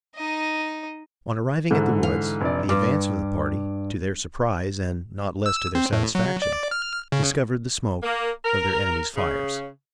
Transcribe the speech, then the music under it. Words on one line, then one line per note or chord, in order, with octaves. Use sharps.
On arriving at the woods, the advance of the party, to their surprise and not less to their satisfaction, discovered the smoke of their enemies' fires.
D#4 D#5
G#2 D3 E3
F5
F1 A#1 D5
G2 D6
E6
C4
A2
F#3
D5
F6
C#3
A#3
A#4
C#3